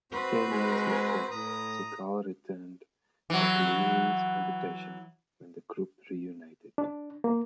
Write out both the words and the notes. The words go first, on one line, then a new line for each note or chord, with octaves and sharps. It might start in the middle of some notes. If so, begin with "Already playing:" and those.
Ten years later, Segel returned at Lowery's invitation when the group reunited.
C4 F#4 B4 C5
G#3
A2 A#5 D#6
E3 F#3
D4
A#3